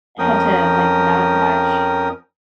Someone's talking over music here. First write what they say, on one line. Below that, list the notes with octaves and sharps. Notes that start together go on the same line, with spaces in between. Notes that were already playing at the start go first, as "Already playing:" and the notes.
Had to, like, not watch
F2 F3 C#4 A#4 G5 D#6